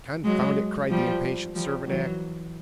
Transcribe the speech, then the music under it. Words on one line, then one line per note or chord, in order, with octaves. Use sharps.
"Confound it!" cried the impatient Servadac.
F#3 G#3
F3 G3
F3 G3
E3 F#3